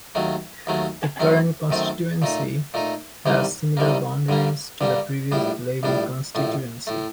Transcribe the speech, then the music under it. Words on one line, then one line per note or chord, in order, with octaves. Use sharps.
The current constituency has similar boundaries to the previous Blaby constituency.
D#2 D#3 F#3 A3
D#2 D#3 F#3 A3
F#2 D#3 A3 C4
F#2 D#3 A3 C4
A#2 A3 D#4
A#2 A3 D#4
C2 C3 D#3 G3 A#3
C2 C3 D#3 G3 A#3
G2 D3 G3 A#3
G2 D3 G3 A#3
A#1 A2 G3 D4
A#1 A2 G3 D4
A#1 A2 A3
A2 A3